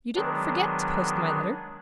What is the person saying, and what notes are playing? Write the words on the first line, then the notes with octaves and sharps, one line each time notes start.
"You didn't forget to post my letter?"
D#3 F#3 G#3 B3 D4